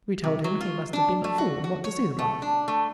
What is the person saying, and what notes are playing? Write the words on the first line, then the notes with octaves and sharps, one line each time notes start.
We told him he must have been a fool not to see the bath.
C3
F#3
F4
D4
A3
F#4
F#4
C#5
A3
D4
A3